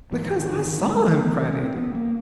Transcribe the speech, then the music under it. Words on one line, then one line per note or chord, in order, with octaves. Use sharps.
"Because I saw 'em!" cried Andy.
G#2 E3
E3
D#3
D3
D#3
G#3
G#3
A3
B3
C4
C#4
C4
B3
A#3